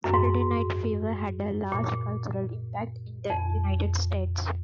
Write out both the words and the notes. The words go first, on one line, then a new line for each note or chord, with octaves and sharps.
"Saturday Night Fever" had a large cultural impact in the United States.
F#2
G#2
A#2
F2